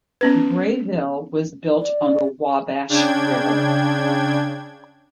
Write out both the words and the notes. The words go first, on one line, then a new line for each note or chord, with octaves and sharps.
Grayville was built on the Wabash River.
B3 C#4 B4
D5
C#3 D4 G5 G#6